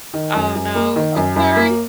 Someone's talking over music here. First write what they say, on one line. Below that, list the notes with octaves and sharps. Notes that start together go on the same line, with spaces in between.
Oh, no, I'm sorry,
D#3
F#2
F#2
A#3
D#3
F#2
F#2
A#3